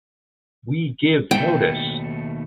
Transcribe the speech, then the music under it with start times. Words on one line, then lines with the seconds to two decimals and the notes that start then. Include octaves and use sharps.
We give notice!
1.31 D#2 B2 A3 G5